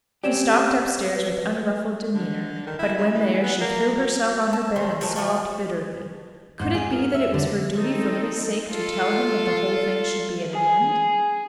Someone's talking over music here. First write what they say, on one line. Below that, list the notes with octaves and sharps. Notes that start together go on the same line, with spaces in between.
She stalked upstairs with unruffled demeanour; but when there, she threw herself on her bed and sobbed bitterly. Could it be that it was her duty, for his sake, to tell him that the whole thing should be at an end?
C4 C#4 G4 D5 E7
B4
D3
D#3
E4
C#3
E3
B3
A#3
F#3
A5
D#3 C5 A5
F3 F#3 A3 C#4
F3 G#3 A3 F#4
G#2
G#4
A#4
E5
D3
C4 D#4 A4
F4 A4
G#4 G#5